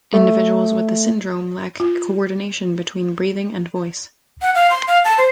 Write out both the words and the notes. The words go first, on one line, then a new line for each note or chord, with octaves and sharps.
Individuals with the syndrome lack coordination between breathing and voice.
A3
F4
F#5
F5
C6
F5
A5
C5